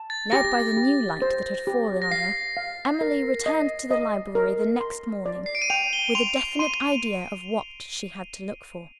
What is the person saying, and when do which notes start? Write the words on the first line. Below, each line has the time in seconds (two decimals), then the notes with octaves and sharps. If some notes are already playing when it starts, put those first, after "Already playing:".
Led by the new light that had fallen on her, Emily returned to the library the next morning with a definite idea of what she had to look for.
Already playing: A5
0.10 A6
0.32 G4 A#6
0.77 G4
1.22 C5
1.67 G4
2.02 A#6
2.11 F5 C7
2.57 F5
3.01 A#4
3.46 D#5
3.91 D#5
4.35 A#4
4.81 C6
5.26 D5
5.46 C7
5.55 D7
5.62 D#7
5.70 G5 F7
5.93 G7
6.15 C6 F7
6.37 F7
6.59 C6 D#7